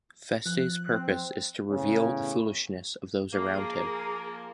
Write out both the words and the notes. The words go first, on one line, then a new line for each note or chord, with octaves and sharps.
Feste's purpose is to reveal the foolishness of those around him.
F3 F#6
C4
E2 A2 C#3
F3 A#3 G#4 A#4